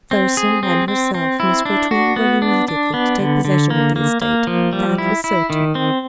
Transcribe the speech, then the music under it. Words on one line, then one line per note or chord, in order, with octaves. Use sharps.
Thurston and herself must go to England immediately to take possession of the estate; that was certain.
C4
G#4
C4
C4
C4
E4
D4
F#4
B3
D4
D4
B3
D3
D3
A#3
A#3
A#3
F3
G3
E4
E4
D#3
C4